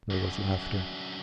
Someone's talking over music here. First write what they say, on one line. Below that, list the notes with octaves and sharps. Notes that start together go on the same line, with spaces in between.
There was laughter.
F#2 D3